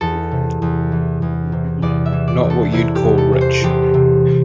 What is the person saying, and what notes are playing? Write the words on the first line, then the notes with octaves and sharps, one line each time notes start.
Not what you'd call rich.
E2 A4
C3
E2
E3
E2
C3
E2 D5
E5
E3
D5
E2
A4
C3 E4
G4
E2
A4
E3
C5
E2 G4
C3